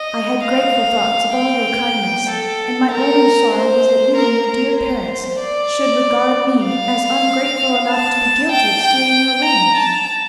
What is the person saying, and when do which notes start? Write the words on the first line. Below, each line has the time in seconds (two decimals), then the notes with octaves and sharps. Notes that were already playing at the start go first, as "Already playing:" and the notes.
I had grateful thoughts of all your kindness, and my only sorrow was that you and your dear parents should regard me as ungrateful enough to be guilty of stealing your ring.
Already playing: D#5
0.43 F5
1.36 G5
2.30 A4
2.91 A#4
3.54 C5
4.17 A#4
4.47 A#4
4.78 C5
5.41 D5
6.65 F5
7.90 A5
8.52 G5
8.83 G5
9.45 A#5
9.76 A5